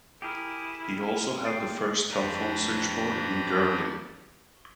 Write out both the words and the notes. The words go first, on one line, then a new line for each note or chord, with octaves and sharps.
He also had the first telephone switchboard in Gurley.
E4 G4 G#4 A#4
A#3 D5 G5 C6 D6
F2 D4 G4 B4 A#5